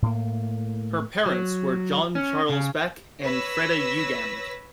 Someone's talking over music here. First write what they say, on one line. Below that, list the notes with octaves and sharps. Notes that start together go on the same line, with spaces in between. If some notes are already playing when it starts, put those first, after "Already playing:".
Her parents were John Charles Beck and Freda Yugend.
A2 A#3
F#3
C#4
C#3
B4 C#5 E6 A#6 B6